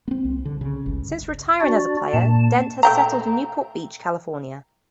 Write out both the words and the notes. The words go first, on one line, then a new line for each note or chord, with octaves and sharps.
Since retiring as a player, Dent has settled in Newport Beach, California.
B3 C4
C2
D3
C#3
G1 C#2
D4 F#4 D5
A#2 A5
A3 G5 A#5